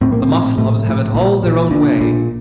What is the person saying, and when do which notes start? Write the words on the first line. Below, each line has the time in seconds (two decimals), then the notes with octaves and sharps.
The Maslovs have it all their own way.
0.01 A#1 A2 C4
0.12 A#3
0.22 C4
0.30 A#1 A2
0.58 A#1 A2 A3
0.86 A#1 A2
1.15 A#1 A#2
1.42 A#1 A#2
1.70 A#1 A#2 D4
1.99 A#1 A#2